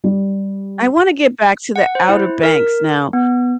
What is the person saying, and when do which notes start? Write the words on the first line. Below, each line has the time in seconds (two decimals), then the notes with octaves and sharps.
I wanna get back to the Outer Banks now,
0.04 G3
1.76 F#5
1.95 C5
2.09 E4
2.43 A#4
3.13 B3